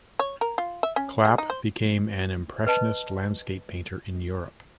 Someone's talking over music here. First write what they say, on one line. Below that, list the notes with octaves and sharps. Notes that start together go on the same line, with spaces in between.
Clapp became an Impressionist landscape painter in Europe.
C#5
A#4
F4
E5
C#4
G#3
D#4
C5
B4 D#5 A5